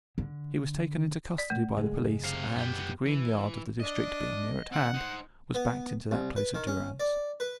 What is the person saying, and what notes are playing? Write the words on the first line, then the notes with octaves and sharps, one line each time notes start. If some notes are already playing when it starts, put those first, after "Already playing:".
He was taken into custody by the police, and, the Green Yard of the district being near at hand, was backed into that place of durance.
D3
D5
A3
F#1 G#3
C3 F5
F#2 B3 G4
E3
D4 D#5
D#3 C4 F#5
D#4 C5
B3
C2
B4
D#3
C#4
D5
B4